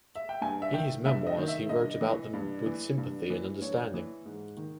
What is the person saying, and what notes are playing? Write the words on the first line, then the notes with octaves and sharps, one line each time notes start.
In his memoirs he wrote about them with sympathy and understanding.
E5
G5
G2 G#5
E5
D#3 G5
G2 E5
D#5
D#3
E5
G2 D#5
E3
G2
E3
G2
E3
G2 C#5
E3
G#2
D#3